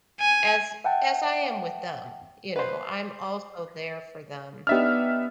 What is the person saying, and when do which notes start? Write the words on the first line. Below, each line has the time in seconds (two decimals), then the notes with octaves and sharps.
as as I am with them, you know, I'm also there for them,
0.20 G#5
0.84 E5 F#5 G5 A5
2.56 B4 C5
4.67 B3 D4 D#4 G4 E5 F6